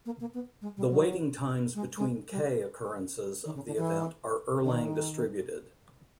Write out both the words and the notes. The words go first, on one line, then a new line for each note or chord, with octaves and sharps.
The waiting times between "k" occurrences of the event are Erlang distributed.
A#3
A#3
B3
G#3
G3
F#3
G#3
G#3
G3
D#3
C#3
D3
E3
D3
D#3